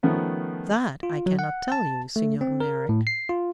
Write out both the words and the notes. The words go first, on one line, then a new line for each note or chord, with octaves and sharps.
"That I cannot tell you, Signor Merrick."
D#3 F3 A3 B3 C#4
F4
F#3
F#5
A5
A3
C4
A#4
A2
C7
F4